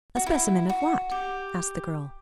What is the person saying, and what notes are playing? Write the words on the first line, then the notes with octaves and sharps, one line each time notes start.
"A specimen of what?" asked the girl.
F#4
E4
F#4
G4